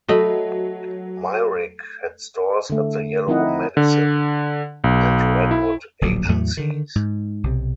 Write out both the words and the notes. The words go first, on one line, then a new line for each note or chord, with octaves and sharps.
Myrick had stores at the Yellow Medicine and Redwood Agencies.
F#3 A3 D#5 B5
D3 A3
F3 C4 D#4 E4 D#5 F#5
D3
B1
E4
D1 A#1 A#2 F#3
E2 A2 F#3 A3
D3 D#3
G#2
B1 C3